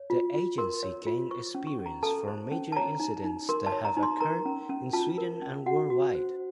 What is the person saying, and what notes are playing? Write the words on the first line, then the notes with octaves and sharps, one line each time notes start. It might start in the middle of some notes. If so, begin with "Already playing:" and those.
The agency gained experience from major incidents that have occurred in Sweden and worldwide.
Already playing: C#5
F4
F4
A#4 C6
C#5
F4
C5 C#6
C#4
C#6
C#4
A#5
A4 A5
C5
C#4
A5
C#5 A#5
D#4
D#4
A#4 C6
A5
C#5
A#5
D#4
C6
A#4 A#5
C#4
C#4
F4 A5
A#4
C#4
F#4 F#5
F#4
C5